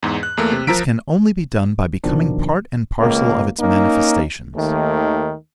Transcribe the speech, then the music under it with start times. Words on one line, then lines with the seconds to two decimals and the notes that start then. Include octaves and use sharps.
This can only be done by becoming part and parcel of its manifestations.
0.03 E2 G#2
0.23 F#6
0.37 E2 A3 A#3
0.52 C3
0.67 F3 A#4 A#5 E6 B6 D7
2.04 D#2 B2 D#3 F3 D4
2.99 C#2 A#3
3.60 A#3 C#4 D#4
4.55 D#2 D#3 A3